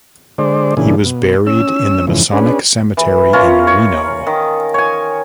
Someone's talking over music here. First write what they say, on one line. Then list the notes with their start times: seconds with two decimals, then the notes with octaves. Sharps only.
He was buried in the Masonic Cemetery in Reno.
0.38 D3 G#3 C5 D5
0.77 A#2 C#3 E3 D4 G#4
1.05 B2
1.47 C#4 E6
2.07 F2 G#2 C#3 E3
2.33 C#4 D4 G#4 B4
2.97 E3
3.33 C#4 F4 A#4
3.67 C#5
4.27 D#3
4.74 C#5 G#5